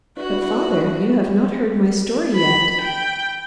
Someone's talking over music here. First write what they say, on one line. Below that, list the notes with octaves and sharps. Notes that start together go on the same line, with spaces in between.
"But, father, you have not heard my story yet."
D4 E4 F#4 B4
B5
G5